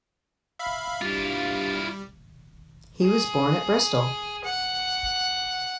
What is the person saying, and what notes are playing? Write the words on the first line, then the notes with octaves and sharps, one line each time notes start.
He was born at Bristol.
E5 F5 B5
G2 G3 E4 F4
G#4
F#5